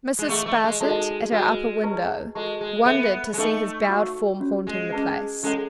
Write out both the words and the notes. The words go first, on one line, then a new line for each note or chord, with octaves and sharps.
Mrs. Sparsit, at her upper window, wondered to see his bowed form haunting the place.
G#3
A3 G#4 D#5 F#5 C#6
A3
G#3
G#3 D#4 F#4 A4 D#5 A5
G#3 F#4 B4 F#5 B5
E4 B4 D#5 A5 C#6
G#3 F#4 A4 D#5 A5 C#6
G#3
B3 A4 E5 G#5
G#3
A3 D#4 A4 D#5 G#5
F#4 C#5 F#5 C#6
C#4 F#4 C#5
G#3
C#4 G#4 B4 D#5 A5
G#3 C#4 E4 A4 C#5 F#5